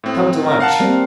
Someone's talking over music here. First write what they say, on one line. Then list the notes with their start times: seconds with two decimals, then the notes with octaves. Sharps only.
"Come to lunch."
0.04 A2 C4
0.43 A#4
0.60 F5 F#5 A5
0.80 G3 A#3 C4